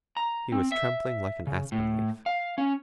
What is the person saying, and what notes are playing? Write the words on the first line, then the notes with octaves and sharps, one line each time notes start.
He was trembling like an aspen leaf.
A#5
C4
E5
C#3
A2
F5
C#4